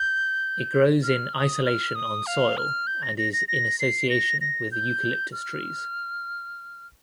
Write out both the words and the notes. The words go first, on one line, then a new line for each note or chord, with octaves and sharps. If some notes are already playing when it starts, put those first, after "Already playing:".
It grows in isolation on soil and is in association with Eucalyptus trees.
Already playing: G6
F6
D#6
F6
D#6
F5
F6
G6
A#6
A#6
A#6
A#6
C7
A#6
A#6
G6
F6